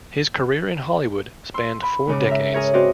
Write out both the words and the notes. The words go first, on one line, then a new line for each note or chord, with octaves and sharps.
His career in Hollywood spanned four decades.
C6 E6
B5
G#2 C#3 D6
A#4 E5
G#4 A#4 C#5 E5
C4 F#4 A#4 C5 D5 D#5